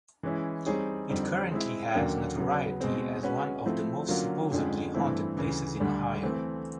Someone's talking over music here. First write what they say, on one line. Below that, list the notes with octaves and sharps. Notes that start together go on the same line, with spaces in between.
It currently has notoriety as one of the most supposedly haunted places in Ohio.
E3 G#3 C#4 E4
G3 C4 D#4 G#4 C#5
F2 D3 G3 C4 D#4
G#3 C4 E4
D#2 D3 F#3 A#3 C#4
C#3 F#3 B3
B2 G#3 C4
G#3 C#4 F#4 B4
F3 A3 C4 E4
D3 F#3 A#3 C#4 F4
F2 D3 F3 G#3 C#4
G2 E3 A3 C4 E4
D2 C#3 E3
D2 D3 G3
E3 A3 C4